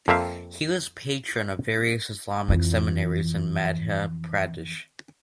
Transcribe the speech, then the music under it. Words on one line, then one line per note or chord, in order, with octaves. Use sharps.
He was patron of various Islamic seminaries in Madhya Pradesh.
F2 A#3 C4 E5 F5
F2 E3